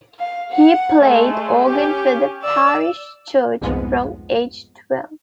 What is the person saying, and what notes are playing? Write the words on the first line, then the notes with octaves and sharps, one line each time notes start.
He played organ for the parish church from age twelve.
F5
F#5
G#3 A3
C#4 G4
D5 E6
C2 F2 G#2 F3 G#3 B3